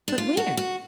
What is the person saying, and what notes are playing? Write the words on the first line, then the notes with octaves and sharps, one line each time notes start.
"But where?"
D4
F4
F#4
F#4